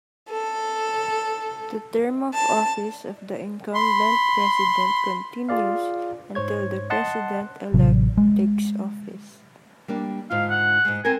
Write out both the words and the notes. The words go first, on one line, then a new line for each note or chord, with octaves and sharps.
The term of office of the incumbent president continues until the President-elect takes office.
A4
A5
B5 C6
F4 G#4 D5 F5
G#2 C5 C#5 G#6
D#5 F#5 A5 C6 F#6
A1 C3 F#3
G#3
G3 A#3 D4
G#2 D3 F4 F5
F#5
G#2 G#3
C4 A4 A#4 G#5